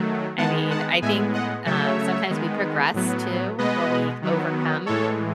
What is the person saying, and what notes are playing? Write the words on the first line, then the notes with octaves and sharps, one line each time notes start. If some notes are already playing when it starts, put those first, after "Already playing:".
I mean, I think, um, sometimes we progress too when we overcome,
Already playing: D#3 F#3 A3
D#3 G#3 B3 F#5 A5
F#5 A5
A2 G#3 B3 E5 G#5
D#5 F#5
C#3 F#3 A3 C#5 E5
D#3 G#3 B3
A2 F#3 B3
B2 G#3 B3 B4 D#5
D#3 F#3 B3
A2 E3 G#3 A4 C#5